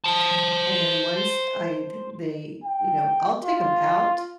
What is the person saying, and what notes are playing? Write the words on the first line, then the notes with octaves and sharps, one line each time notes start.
and then once I'd they, you know, I'll take 'em out,
C5 A5
G5
F4